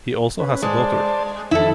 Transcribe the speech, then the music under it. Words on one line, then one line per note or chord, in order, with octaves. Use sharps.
He also has a daughter.
C#4 B4
G#3 C5 D5 A5
F2 D#3 E4 A4